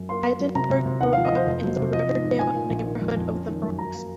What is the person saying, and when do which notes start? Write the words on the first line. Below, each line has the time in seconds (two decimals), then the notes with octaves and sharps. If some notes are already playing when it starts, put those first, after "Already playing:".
Eisenberg grew up in the Riverdale neighborhood of the Bronx.
Already playing: F#2
0.09 A#3 C6
0.24 A#3
0.40 F#3
0.55 C3 A#5
0.70 C3
0.86 C3
1.01 D#2 F#5
1.13 F3 F5
1.25 D#5
1.32 F3 C5
1.47 F1
1.63 F#3
1.78 C3
1.93 F3 D#5
2.09 G#2
2.24 G#2
2.39 A#2 G#5
2.55 A#2
2.70 A#1
2.86 D#3
3.02 F2
3.17 F2
3.32 C#4
3.48 D#3
3.63 F#2
3.78 F#3 A#5
3.94 A#3